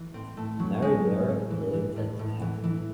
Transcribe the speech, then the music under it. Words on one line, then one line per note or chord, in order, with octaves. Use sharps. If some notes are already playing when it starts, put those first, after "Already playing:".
Mary Vere lived at Hackney.
Already playing: E3
A2 C4
A2 A3
E3 F#3
E3 G#3
A2
A2
E3
E3
A2
A2
E3
E3